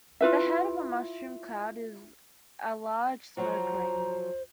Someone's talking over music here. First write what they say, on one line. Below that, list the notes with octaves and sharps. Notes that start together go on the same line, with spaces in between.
The head of a mushroom cloud is a large smoke ring.
E4 F4 B4 E5
F3 F#3 F#4 C5 A#5